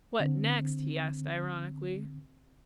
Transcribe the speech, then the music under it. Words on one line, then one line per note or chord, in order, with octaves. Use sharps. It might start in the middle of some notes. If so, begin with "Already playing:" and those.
"What next?" he asked ironically.
D3 C4